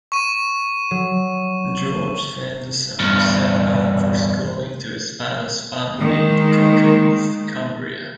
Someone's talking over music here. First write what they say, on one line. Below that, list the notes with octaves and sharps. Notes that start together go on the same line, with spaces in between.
George Sanderson was sent home for schooling to his father's family in Cockermouth, Cumbria.
C#6 D#7
F#3
E2 G2
D#3 G#3 A#3